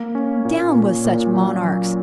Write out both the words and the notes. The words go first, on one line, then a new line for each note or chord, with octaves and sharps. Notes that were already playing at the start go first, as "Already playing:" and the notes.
Down with such monarchs!
Already playing: A#3
C#4
A#2
A#2
A#2
F#3